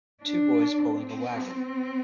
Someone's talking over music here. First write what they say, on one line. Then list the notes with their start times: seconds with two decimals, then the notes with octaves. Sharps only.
Two boys pulling a wagon.
0.22 D4
0.87 C4